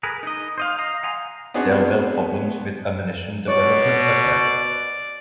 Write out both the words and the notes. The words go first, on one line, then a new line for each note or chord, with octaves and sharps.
There were problems with ammunition development as well.
G#4 A#4 B4
D#4 D#5
C5 D#5 F5
D#5 F5 A#5
F#5 G#5 A#5 C6
B3 C4 D4 F#4 G#4
B2 C#5 D5